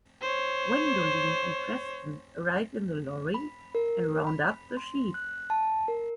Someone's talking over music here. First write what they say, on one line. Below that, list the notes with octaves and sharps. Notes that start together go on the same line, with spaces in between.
Wendolene and Preston arrive in the lorry and round up the sheep.
C5 C#5
B5
A#4
B5
C6
F#6
A5
A#4